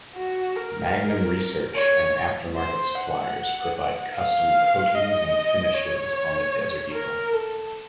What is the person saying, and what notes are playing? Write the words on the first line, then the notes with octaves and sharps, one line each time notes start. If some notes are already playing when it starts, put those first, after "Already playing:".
Magnum Research and aftermarket suppliers provide custom coatings and finishes on the Desert Eagle.
F#4
A#4
C#5
C5
F#5
F5
D#5
C#5
A#4
A4